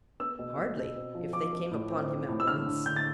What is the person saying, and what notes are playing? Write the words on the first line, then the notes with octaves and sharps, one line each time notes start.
Hardly, if they came upon him at once.
B3 E6
B2
B2
B2
C4
F3
F3 D6
F3
A2
C4
C4
A2
E6
D3 F6
D3
D3 G6
A6